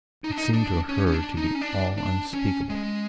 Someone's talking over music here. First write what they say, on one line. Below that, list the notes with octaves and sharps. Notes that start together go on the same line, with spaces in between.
It seemed to her to be all unspeakable.
D#4
D4
D#4
D4
C#4
C#4
D4
D#4
C#4
D4
D4
C#4
G#3